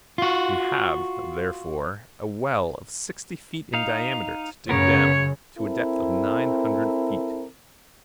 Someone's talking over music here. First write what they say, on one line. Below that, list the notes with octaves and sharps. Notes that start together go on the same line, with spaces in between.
We have, therefore, a well of sixty feet in diameter to dig down to a depth of nine hundred feet.
F4 F#4
D#4 F5
F#2 C#3 B3 A#4 C#5
C4 E4 A4 A#4